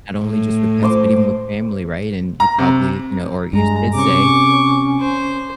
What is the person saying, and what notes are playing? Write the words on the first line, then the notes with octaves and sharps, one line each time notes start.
not only just with pets, but even with family, right, and you probably, you know, or you did say,
A2
C5 D6
A#5
C3
G2 G#3 A#5
C3 C#4 C#6 D6
C5